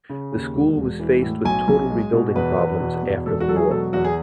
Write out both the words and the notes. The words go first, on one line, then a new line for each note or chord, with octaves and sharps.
The school was faced with total rebuilding problems after the war.
C#3
D#2
E1
E1
E3
A2
B1 G#5
B1
G#3
B2
E2 B4
E2
B2
E2
E1 A4
F#4
F#3 A4
G#4
B2 A4
E2 F#4
G#4